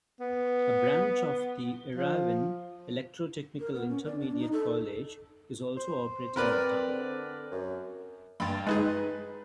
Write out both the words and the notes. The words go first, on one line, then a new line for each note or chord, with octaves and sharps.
A branch of the Yerevan electro-technical intermediate college is also operating in the town.
B3
F3
A#4
B3
C#4
D5
D4
D#4
A4
C5
C4 A#4 B4 D5
D3
F#2
G2 G5 B5 C6 A6
G#3 D#4 G#4 B4 F#6